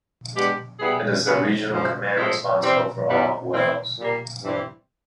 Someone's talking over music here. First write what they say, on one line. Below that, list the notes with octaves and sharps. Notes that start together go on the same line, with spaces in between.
It is a regional command responsible for all of Wales.
G#3 B3 D4 G4
G3 B3 E4 G#4
C#3 F#3 B3
F#2 C#3 F3
A2 F3 G#3 C4 E4
E3 G3 C4
F#2 D#3 G3 B3 E4
E3 A3 C4 E4
A#2 G3 A#3
G2 E3 G3 C4 E4